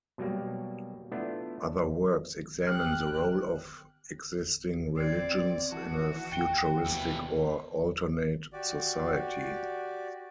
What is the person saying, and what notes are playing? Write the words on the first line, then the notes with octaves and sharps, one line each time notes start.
Other works examine the role of existing religions in a futuristic or alternate society.
B2 F#3 G3 A#3
A3 B3 D4 E4 F4
G4 F6 F#6
C4 D5 G#6 C7
E3 F#4 A5
D#2 G5 G7
B2 E3
F#4 G4 D5